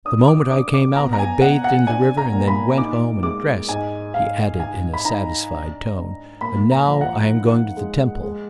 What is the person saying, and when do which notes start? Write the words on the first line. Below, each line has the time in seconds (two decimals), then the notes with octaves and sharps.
The moment I came out I bathed in the river, and then went home and dressed," he added in a satisfied tone; "and now I am going to the Temple.
0.05 D4 D#6
0.28 D6
0.51 D4 D6
0.74 D6
0.96 B3 A#5
1.13 A#5
1.19 G#5
1.41 B2 F#5
1.64 F#5
1.87 D4 G#5
2.17 A#5
2.33 A#2
2.48 B5
2.78 D#4 D6
3.23 G#3 D6
3.69 G#2 G#5
4.14 G#2 F5
4.60 D#4 G#5
4.93 B5
5.05 D#4 A#5
5.51 D4
5.96 D4
6.41 A#2 B5
6.71 A#5
6.87 F3
7.01 F#5
7.32 D#4
7.77 G#3
8.23 G#3